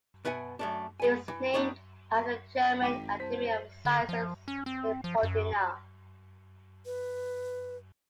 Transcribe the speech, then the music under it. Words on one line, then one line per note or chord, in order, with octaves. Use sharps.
It was named after the German Academy of Sciences Leopoldina.
B2 B4 E5 F#5 G#5
F#2 A3 D4
G#3 B3 G#5
E3
G3 B3 D4 D#4 G#4 C#5
G#1 G5 D6 D#7
C2 C5 A5 B6
D3
F3
C#4
C4
F3
F#2
B4